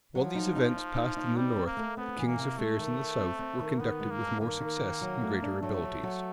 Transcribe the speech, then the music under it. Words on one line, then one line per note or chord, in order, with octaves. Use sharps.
While these events passed in the north, the king's affairs in the south were conducted with more success and greater abilities.
F3 F#3
D#4
D#4
D#4
D#4
D#4
G3 C4
C4
A#3
A3
B3 C4
E3
A#3
C3
G#3 A3
D#3
D#3
C4
C4
D#3
D#3 B3
G#3
A#3
G2
D#3 A#3
D#3
D#3
F#3
A3
D4
F#3 A3
F#3
F#3